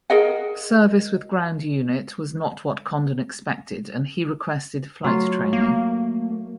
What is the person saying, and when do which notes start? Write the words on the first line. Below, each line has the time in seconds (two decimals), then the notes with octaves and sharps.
Service with ground unit was not what Condon expected and he requested flight training.
0.10 G#4 A#4 D#5 F#5
5.04 F#3 A3 F4
5.53 A#3